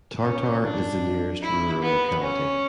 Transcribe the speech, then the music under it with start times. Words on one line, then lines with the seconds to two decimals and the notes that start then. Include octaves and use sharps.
Tartar is the nearest rural locality.
0.23 C#4
0.63 D4
1.42 E4
1.82 B3
2.22 C#4